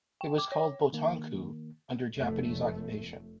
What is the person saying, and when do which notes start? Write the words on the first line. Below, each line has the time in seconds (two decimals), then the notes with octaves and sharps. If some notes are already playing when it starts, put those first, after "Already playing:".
It was called "Botankou" under Japanese occupation.
0.21 G5
0.38 D6
0.52 C#5
0.93 D#3 A#3
2.17 F1 A3